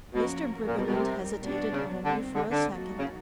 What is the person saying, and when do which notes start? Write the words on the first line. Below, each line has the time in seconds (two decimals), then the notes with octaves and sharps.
Mr. Briggerland hesitated only for a second.
0.14 B2 F3 A#3 C#4 F#4 A#4
0.66 A#2
0.76 B2 G3 C4 D#4 G4 A#4
0.87 B2
0.93 C3
1.40 B2 G3 B3 D4 F#4
1.72 C#3
2.03 D3 D#3 G3 C4
2.35 D3
2.51 D3
2.68 F#3 A#3 D#4 F#4 A4
2.98 C#3